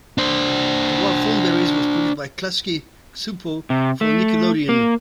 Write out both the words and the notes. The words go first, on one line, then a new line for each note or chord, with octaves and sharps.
"The Wild Thornberrys" was produced by Klasky Csupo for Nickelodeon.
D4 C5
C3
A3
A#3